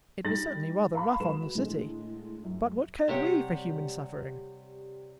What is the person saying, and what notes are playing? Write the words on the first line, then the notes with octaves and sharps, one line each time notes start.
It was certainly rather rough on the City, but what cared we for human suffering?
G3 D#4 G4 A6 A#6 F#7
F5 A#5 B5 C#6
F#3 G#3 F#4 B4 E7
A2 D3 G#3
F#2
C3 G3 G4 C#5 F#5